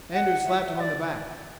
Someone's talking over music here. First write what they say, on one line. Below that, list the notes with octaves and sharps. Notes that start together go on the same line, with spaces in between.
Andrews slapped him on the back.
F#5
E5
E5
D5